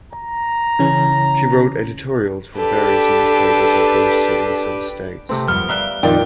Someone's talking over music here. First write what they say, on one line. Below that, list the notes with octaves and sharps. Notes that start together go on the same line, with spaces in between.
She wrote editorials for various newspapers of those cities and states.
A#5
C#3 E3 C#4
D4 G4 A4 B4
C3 A3 C4
C2 F2 B3 F6
G3 E5 F5 A#5 F#6 G7
F2 A#2 D#3 D#4 F4 D5 G5